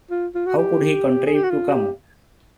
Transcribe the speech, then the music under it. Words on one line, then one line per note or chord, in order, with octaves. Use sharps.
How could he contrive to come?
F4
F4
F#4
G4
G#4
G4
F#4
F4
F#4
G4